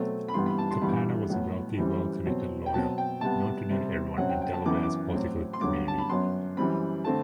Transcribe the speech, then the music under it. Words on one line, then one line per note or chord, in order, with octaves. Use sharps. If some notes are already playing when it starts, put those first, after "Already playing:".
Capano was a wealthy, well-connected lawyer, known to nearly everyone in Delaware's political community.
Already playing: B2 F#3 A3 C4
B5
G2 E3 G3 B3 C6
B5
A5
C6
G2 E3 G3 B3 B5
A2 F#3 B3
F#2 E3 G3 C4
B2 F#3 C4
G5
B2 F#3 C4 A5
G5
C3 G3 B3 A5
C3 G3 C4
F#2 F#3 C4 F#5
G5
G5
A5
F#2 E3 B3 D6
D6
A2 F#3 C4
C6
G2 D3 F#3 B3 D6
A5
B5
F#2 F#3 B3 C6
F#2 E3 G3 C4 B5
D3 A3 C4 A5